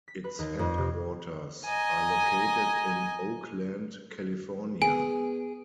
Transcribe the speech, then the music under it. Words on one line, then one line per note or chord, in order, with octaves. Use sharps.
Its headquarters are located in Oakland, California.
B6
B4
D#2
F2
C3
D#5 G#5 A#5
B3 G#4 G#5